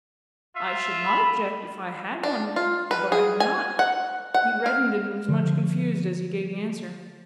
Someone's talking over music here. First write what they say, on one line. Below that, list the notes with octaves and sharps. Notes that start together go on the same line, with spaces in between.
'I should not object, if I had one; but I have not.' He reddened and was much confused as he gave the answer.
F4 E5
B5
D4
F4
B4
G#4
G#5
F#5
F#5
F5
D3 F3